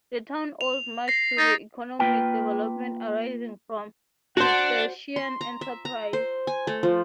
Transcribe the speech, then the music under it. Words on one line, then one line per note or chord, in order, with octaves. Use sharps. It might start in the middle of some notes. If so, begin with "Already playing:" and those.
The town owes much to the economic development arising from Cistercian enterprise.
F7
A#6 C7
D#4 A6
A#3 F4 B4 G5
F#4 C5 D5 F#5 A5
C6
A#5
E5
A#5
C5
G#5
A3
F3